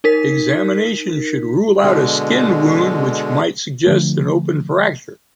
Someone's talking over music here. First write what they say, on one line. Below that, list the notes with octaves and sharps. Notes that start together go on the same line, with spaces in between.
Examination should rule out a skin wound which might suggest an open fracture.
D#4 A#4 B6
B2 D3 G#3
D3 F3 A3